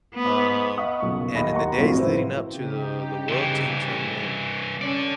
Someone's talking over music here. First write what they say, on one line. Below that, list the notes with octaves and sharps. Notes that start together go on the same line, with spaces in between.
Um, and in the days leading up to the the world team tournament,
B3
D#5 F5 F#5 C#6 D#6
F#1 B1 C#6
D#2 D#5 B5 A#6
F#5 A#5 C6 C#6
G#1 F#2 A2 C3 F3 F#3
E4 B4 C5 E5
C#3 D#4 G4
C2 E3
C#4 A4 D5